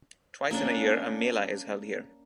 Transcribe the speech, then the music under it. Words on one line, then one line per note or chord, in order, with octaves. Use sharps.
Twice in a year a mela is held here.
A#3 C#4 D4